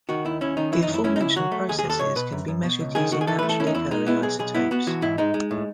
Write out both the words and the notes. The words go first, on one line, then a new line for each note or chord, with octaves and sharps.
The aforementioned processes can be measured using naturally occurring isotopes.
D#3 F#4
D#2 E4
C#4 E4
D#3 D#4
E3 E4
D#4
F#2
E4
C#4 E4
D#4
C#2 E4
F#3 F#4
A3
D#2 G#4
G#4
D#2
A4
C#2 C#5
B2 B4
F#2
F#2
B2
C#2
D#3 G#4
D#3 F#4
G#4
E3 A4
A3 B4
A4
C#4 E4
D#4
E2 E4
G#3 D#4
B3 E4
B1 G#4
B1 G#4
B3 E4
B3 F#4
E3 F#4
G#2 E4
G#3 D#4
G#3
A2